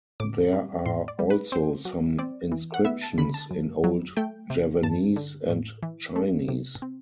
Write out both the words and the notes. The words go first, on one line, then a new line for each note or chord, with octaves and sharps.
There are also some inscriptions in Old Javanese and Chinese.
A2 D6
G3
A2 C6
D5
G3
B4
C4 C5
F#3
C4 D5
E3
F#5
B3 E5
A5
D3 B5
A5
F#2
F#3
A3 G5
C3
G2 A5
D3
A2
E3
A3
C3
C4